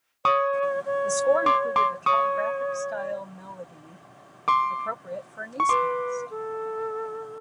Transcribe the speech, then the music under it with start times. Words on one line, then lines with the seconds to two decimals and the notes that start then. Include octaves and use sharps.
The score included a telegraphic-style melody appropriate for a newscast.
0.25 C#5 C#6 D#6
0.85 C#5
1.46 C6 D6
1.76 C6 D6
2.06 C#5 C#6 D#6
4.48 C6 D6
5.60 C#6
5.69 B4 C6 D6
6.30 A4